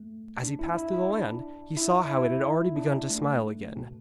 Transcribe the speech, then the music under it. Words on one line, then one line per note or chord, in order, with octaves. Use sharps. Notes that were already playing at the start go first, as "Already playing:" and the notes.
As he passed through the land, he saw how it had already begun to smile again.
Already playing: A3
D4
E4
E4
E4
D4
E4
E4
D4
A3
B2